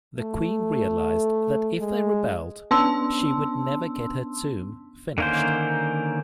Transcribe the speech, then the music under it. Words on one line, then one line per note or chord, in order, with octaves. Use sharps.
The Queen realized that if they rebelled, she would never get her tomb finished.
A3
G#3
B3 C#4 D4 A5 C6 E6
D3 D#3 A#3 C#4 C5